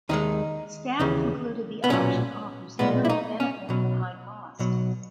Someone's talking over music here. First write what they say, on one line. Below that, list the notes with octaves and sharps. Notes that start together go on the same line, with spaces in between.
Staff concluded the option offers minimal benefit but high cost.
D#2 D#3 G#3 D#4
D#2 C#3 E3
B3
B1 A#2 F#3 C#4
B1 A#2 G#3 B3
E4
D#4
C#4
B1 B2 F#3
B1 B2 F#3